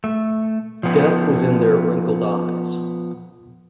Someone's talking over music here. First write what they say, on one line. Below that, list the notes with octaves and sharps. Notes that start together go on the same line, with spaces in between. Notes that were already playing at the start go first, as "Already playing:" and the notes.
Death was in their wrinkled eyes.
A3
F3 B3